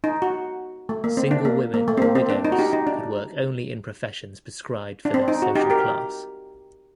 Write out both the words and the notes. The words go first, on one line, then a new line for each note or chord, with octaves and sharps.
Single women or widows could work only in professions prescribed for their social class.
D#4
F#4
A3
A#3
C4
D4
A#3
A#3
A3
C4
A#3
C4
D4
D#4
F#4
D#4 G4
D#4
D4
D4
C4
D#4
F#4
D#4 G4
G4 A#4